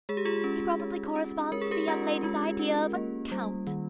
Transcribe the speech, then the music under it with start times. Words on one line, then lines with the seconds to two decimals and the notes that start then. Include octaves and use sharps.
He probably corresponds to the young lady's idea of a count.
0.09 G#3 G#4
0.17 G4
0.25 F4 G#4
0.44 C#4
0.80 G#3
1.16 C#4
1.52 G#3 A#4
1.62 G#4
1.71 G4 A#4
1.88 C#4 F4
2.23 G#3 F4
2.59 C#4
2.95 A#3
3.31 G3
3.67 D#3